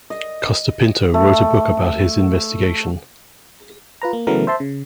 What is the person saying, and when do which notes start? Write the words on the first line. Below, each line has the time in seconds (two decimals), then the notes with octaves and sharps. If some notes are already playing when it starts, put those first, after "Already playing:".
Costa Pinto wrote a book about his investigation.
0.10 D#5
1.14 A3
4.02 F4 B4 A#5
4.13 A#3
4.27 C#3 E3 F#3 A3 B3 A#4
4.47 C5 E5 A5 C6
4.60 C#3